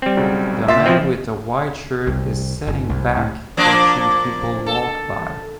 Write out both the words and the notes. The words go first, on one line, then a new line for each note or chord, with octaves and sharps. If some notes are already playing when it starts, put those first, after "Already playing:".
The man with a white shirt is setting back watching people walk by.
G3 C4
B1 C#3 F#3
A#2 E5 C6 A6
B2 F3 C4 D#5
C2
G1
C2
A2
F3 A#3 D4
A4